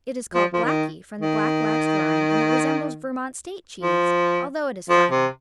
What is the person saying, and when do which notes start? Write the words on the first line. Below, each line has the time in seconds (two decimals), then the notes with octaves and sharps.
It is called Blackie from the black-waxed rind and it resembles Vermont State cheese, although it is flatter.
0.35 F3
0.53 F3
0.64 D#3
1.21 D#3
3.81 F3
4.89 F3
5.11 C3